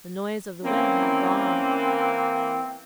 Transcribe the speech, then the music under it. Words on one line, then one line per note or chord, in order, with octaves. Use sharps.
The noise of the wind had gone.
E3 A#3 C4 C#4